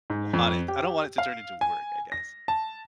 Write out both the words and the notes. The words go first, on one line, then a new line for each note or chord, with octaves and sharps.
want it I don't want it to turn into work, I guess.
G#2
F2
G4
F5
G#5
A#6
A5